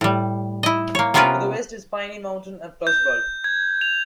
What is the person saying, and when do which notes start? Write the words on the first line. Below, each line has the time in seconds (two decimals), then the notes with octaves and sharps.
To the west is Piney Mountain and Frostburg.
0.01 A2 G3
0.63 E4 D#5
0.95 A#3 C#5
1.14 C3 B3 C#4 F4 A#4 B4
2.87 G6
3.44 G#6
3.81 F7